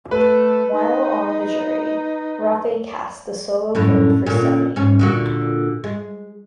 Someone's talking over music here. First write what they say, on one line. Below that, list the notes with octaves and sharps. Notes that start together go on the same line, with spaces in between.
While on the jury, Rafe cast the sole vote for Stephenie.
A3 B4
D#4
F#2 A2 D3
A#2 D3 C#4
G#2 C#4
A#2 D3 F#4
G#3